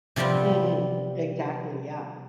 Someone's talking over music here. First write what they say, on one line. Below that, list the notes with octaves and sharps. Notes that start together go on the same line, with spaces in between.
Mhm, exactly, yeah.
C3 F3 G3 B3 C4